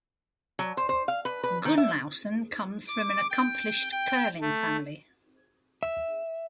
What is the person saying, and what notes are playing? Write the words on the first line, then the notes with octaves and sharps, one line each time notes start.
Gunnlaugson comes from an accomplished curling family.
F#3
C5
C5
F5
B4
B4
D#3
E5
D6
G5
G5
A3
E5